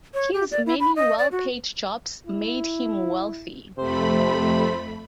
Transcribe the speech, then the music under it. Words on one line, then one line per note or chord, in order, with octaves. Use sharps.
His many well paid jobs made him wealthy.
C#5
G4
D5
E4
B5
D#5
D5
F#4
E4
F2 C3 A3 C5 B5